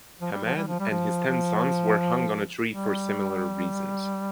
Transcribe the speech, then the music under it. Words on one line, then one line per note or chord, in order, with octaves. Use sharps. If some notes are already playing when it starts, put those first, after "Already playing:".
Haman and his ten sons were hung on a tree for similar reasons.
F3
G3
F3
G3
F3
G3
F3
F3
G3